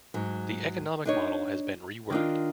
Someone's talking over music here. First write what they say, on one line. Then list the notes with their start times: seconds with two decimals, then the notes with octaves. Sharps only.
The economic model has been reworked.
0.14 G#2 F#3
1.05 D4 D#4 C#5
2.10 D#3 D4 F4